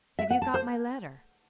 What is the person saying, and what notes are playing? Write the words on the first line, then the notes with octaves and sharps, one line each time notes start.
Have you got my letter?
E5
F#5
A5
C5